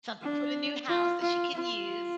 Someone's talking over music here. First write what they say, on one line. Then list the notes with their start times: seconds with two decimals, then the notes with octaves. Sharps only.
Something for the new house that she can use.
0.22 D4
0.88 F4
1.22 F4
1.55 F4